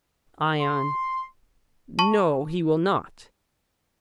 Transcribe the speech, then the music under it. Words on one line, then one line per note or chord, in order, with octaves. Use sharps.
ION: No, he will not.
C6
A5 C#6